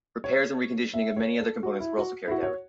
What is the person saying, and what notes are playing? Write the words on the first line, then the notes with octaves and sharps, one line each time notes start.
Repairs and reconditioning of many other components were also carried out.
C#5
E5
C#5
A4
F#4
E4
F#4
E4
F#4
C#5